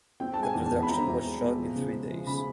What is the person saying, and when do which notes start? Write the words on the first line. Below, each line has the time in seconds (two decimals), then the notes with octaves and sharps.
The production was shot in three days.
0.20 C4 G5
0.34 G#3 A5
0.43 G#5
0.55 E2
0.66 A5
0.72 E2
0.83 B5
0.89 C4 A#5
1.07 E2
1.24 G#3
1.41 B2
1.58 F3
1.76 C#3
1.92 G#3
2.10 F3
2.27 C#3 B5